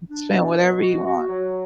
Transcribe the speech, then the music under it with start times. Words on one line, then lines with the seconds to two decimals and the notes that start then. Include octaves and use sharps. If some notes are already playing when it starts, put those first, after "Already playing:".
Spend whatever you want.
0.09 D4
0.33 B2
0.57 B2
0.81 F#4
1.05 F#4
1.29 F#3